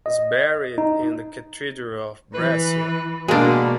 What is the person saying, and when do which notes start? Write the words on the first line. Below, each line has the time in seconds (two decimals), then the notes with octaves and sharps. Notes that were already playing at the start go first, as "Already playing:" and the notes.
He is buried in the Cathedral of Brescia.
0.06 D#5
0.78 D#4
2.34 E3 B4
3.28 B2 G#3 A#3 D4 F#4 A#4 D5